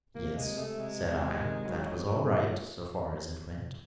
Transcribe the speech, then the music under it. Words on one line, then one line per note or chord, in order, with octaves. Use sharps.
'Yes,' said I, 'that was all right, so far as it went.'
C3 A#3
C3 G#3
C3 A3
C3 G#3
C3
C3
D#3
F#3
F#3